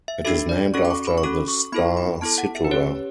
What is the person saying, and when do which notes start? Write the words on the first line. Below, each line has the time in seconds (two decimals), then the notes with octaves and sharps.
It is named after the star Situla.
0.08 E5
0.25 D4 F#4 A4 E5
0.49 D5
0.74 C#4 F#4 A4 C#6
0.85 D6
0.90 C#6
1.07 B5
1.18 C#6
1.23 C#4 F#4 A4 D6
1.48 C#6
1.72 B3 E4 A4 B5
1.97 B5
2.21 B3 E4 A4 A5
2.38 F#5
2.55 E5
2.65 B4
2.71 C#4 G4 C#5